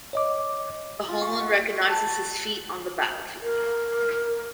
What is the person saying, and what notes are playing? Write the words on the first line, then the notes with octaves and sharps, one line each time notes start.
The Homeland recognizes his feat on the battlefield.
C#5 D#5 D6
F4
C#6
F#5
A5
A#4